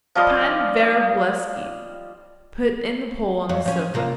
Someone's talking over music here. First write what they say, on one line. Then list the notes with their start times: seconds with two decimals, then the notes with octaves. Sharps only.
"Pan Vrublevsky," put in the Pole on the sofa.
0.15 F3 G3 D#5 F5
3.49 F2 C#5
3.66 F3 C#4
3.94 C3 F3 A#3